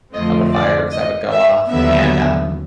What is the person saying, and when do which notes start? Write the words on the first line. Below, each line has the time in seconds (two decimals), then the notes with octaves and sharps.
of the fireworks that would go off, and, um
0.13 F2 D3 F3 A3 C4 D#5
0.53 D5
0.91 D#5
1.30 E5
1.69 D#2 D3 F#3 B3 E5